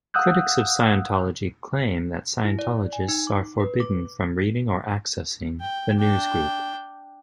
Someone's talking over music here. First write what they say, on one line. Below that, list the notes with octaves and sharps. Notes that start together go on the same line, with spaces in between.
Critics of Scientology claim that Scientologists are forbidden from reading or accessing the newsgroup.
F5 F#5 D#6 E6 F#6 G6
E4
D5
G#5
D#4
D6
B4
D6
G5
D4 G5